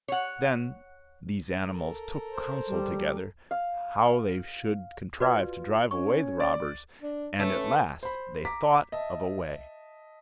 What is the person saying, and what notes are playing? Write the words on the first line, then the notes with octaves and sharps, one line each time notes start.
Then these animals took counsel together how they should contrive to drive away the robbers, and at last they thought of a way.
C#5 F#5
A4 A#4
C5
G3
F5
F4 F#4 B4 D5
C#4 C#5 C#6
D5
D4
A3 C#4 B4
C5 B5
A#5 D6 B6
D#5 E5 A5